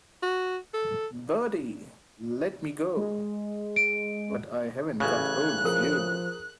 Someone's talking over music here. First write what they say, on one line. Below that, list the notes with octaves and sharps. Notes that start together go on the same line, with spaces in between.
'Bertie — let me go!' 'But I haven't got hold of you.'
F#4
A4
G#3
D7
A1 C#3 F#6 G#6
F3 G#4 A#4 D#6